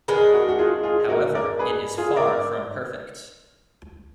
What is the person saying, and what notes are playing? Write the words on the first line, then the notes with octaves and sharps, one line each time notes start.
However it is far from perfect.
D#3 G#3 D4 G#4 B4
F#4 A#4
F#4
F4 G#4
F4 G#4
F#4 A#4
A#4 D5
G#4 B4
F4 G#4
A#4 D5